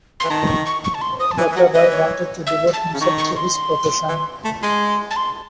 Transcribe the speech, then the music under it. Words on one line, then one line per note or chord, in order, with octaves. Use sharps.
Doctor Roy wanted to devote himself to his profession.
E3 C6
D#3 A5
C#6
C#6
C#6
A5
C6
D#6
A5
E3 G#5
E3
F#3 F#5
E3 D#5
C#5
E5
A5
C#3
D#3 C#6
C#6
C6
E3
A3
G#3 C6
A5
C6